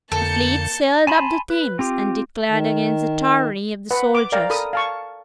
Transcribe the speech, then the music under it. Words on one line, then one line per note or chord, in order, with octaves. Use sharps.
The fleet sailed up the Thames, and declared against the tyranny of the soldiers.
F2 D3 A#3 A4 A5 G6 C#7
G#5 A5 B5 C6
B4
C4 F4 G4
D#3
B4 F#5
D6
A#4 D5 F5 G5 A#5
A4 A#4 B5 D#6
F5 A5 C#6